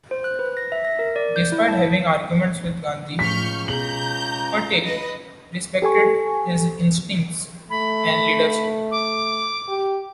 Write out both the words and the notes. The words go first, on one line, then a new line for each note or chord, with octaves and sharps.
Despite having arguments with Gandhi, Patel respected his instincts and leadership.
C5
F#6
B4
A#6
E5
A#6
A#4
D5
G6
E4
A5
B6
C#2 A2 F3 C#6 F6 G6 B6
B2 G#4 A#5 G6 F#7
B4 D#5
G4 A4 G#5 C#6
A3 B5
D6
G4